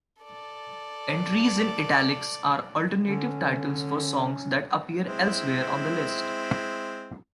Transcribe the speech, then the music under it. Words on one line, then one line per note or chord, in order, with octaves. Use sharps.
Entries in "italics" are alternative titles for songs that appear elsewhere on the list.
A4 D5
D3 C#4
G#3 C4 E4